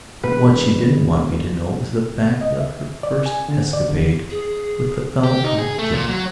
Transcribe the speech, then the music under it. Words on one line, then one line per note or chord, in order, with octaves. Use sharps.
But what she didn't want me to know was the fact of her first escapade with the fellow called Jimmy.
E1 B4
D#5
E5
D5
G#5
D3
D5
D3
G#4
G4
D#4
G#4
A3
A#2
F#3